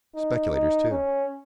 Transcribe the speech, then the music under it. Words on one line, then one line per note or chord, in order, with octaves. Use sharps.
Speculators, too.
D#4
D#4
C#4